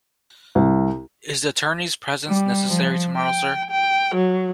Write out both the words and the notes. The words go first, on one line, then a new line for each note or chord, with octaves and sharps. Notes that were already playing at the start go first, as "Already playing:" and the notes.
Is the attorney's presence necessary tomorrow, Sir?
C2
G3
F3
G5
G5
F#3